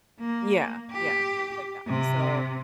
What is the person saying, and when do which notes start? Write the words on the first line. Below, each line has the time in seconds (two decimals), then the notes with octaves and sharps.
yeah, yeah, things like that, so,
0.20 A#3
0.91 G4
1.88 C3